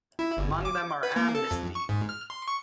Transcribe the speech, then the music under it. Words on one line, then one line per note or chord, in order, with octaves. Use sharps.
Among them are Amnesty!
E4
G1
D6
B4
A#3
A4
F2
C#6
G#2
F6
C6
C#6